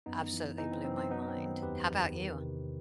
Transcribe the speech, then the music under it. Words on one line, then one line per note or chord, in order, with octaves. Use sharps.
absolutely blew my mind, how about you?
F#2 B3 D#4
E3
E3 B3 D#4
C4
F#2 C4
C4
F#3 B3 D#4
D#4
C4
D#3
C4
E2 G4 B4
E2
D#3
C3